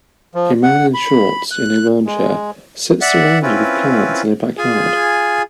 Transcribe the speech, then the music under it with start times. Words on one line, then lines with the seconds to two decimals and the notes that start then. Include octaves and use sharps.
A man in shorts in a lawn chair sits surrounded with plants in a backyard.
0.35 F3
0.63 F#5
0.94 B5
1.51 F#6
2.06 G#3
3.01 D5 E5 F#5
3.42 C4 C#4 E4 F4 B4
4.58 F4 G#4 G#5